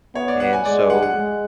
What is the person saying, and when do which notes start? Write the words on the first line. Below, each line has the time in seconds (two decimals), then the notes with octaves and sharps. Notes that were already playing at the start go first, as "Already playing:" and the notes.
and so,
0.15 B3 C#5
0.28 D5
0.40 F#5
0.53 G#5
0.65 G#3 D5
0.90 F#5
1.03 F#5
1.15 G#3